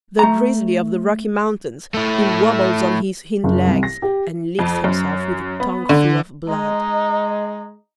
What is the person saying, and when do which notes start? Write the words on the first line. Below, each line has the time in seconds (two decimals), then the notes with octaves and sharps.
The grizzly of the Rocky Mountains, who wobbles on his hind legs, and licks himself with a tongue full of blood.
0.19 A3 A#5
1.94 A3 E4
3.44 F#1
3.67 C2
3.83 A#6
4.02 G4
4.59 F2
4.84 F#2
5.60 B3
5.89 D3
6.48 G#3 D#4